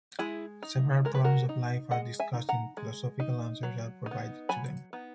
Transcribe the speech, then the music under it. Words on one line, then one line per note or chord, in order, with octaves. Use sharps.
Several problems of life are discussed and philosophical answers are provided to them.
G#3 E4 G#4
D#4
G#3 A#4
B4
F#4 A#4
D#4
G#3 D#5 F#5
E5 G#5
D#4
F#5 A#5
G#3
D#4
F#3
D#4
B3
F#3 G#5 B5
B3 D#4